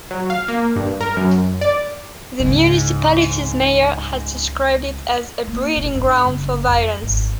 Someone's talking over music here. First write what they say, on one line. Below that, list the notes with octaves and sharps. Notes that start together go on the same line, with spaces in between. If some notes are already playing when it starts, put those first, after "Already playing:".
The municipality's mayor has described it as "a breeding ground for violence".
F#3
F5
A#3
G2
A#4
F#2
D5
C#2 G#2 C#3
A#3
B2
G2
F#1
F2
G#1